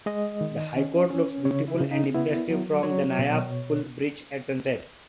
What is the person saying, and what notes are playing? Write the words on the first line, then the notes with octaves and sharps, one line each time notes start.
The High Court looks beautiful and impressive from the Naya Pul Bridge at sunset.
G#3 D#5
D#3
C#4
C#4
C#3 C#5
E4
C#3
D#4
B3 E4
F#3
F#3 C#5
B2